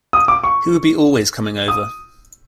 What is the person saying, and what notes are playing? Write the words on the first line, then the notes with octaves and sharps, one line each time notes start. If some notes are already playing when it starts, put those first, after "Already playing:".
He would be always coming over.
D#6
D6
C#6
D#6